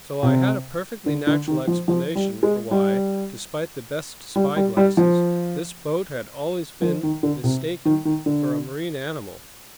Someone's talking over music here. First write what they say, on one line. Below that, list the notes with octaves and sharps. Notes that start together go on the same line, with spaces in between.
So I had a perfectly natural explanation for why, despite the best spyglasses, this boat had always been mistaken for a marine animal.
C3
D3
D3
D#3
F3
F3
G3
G#3
G3
G3
G3
G3
F3
F3
D#3
D3
C3
D#3
D#3
D3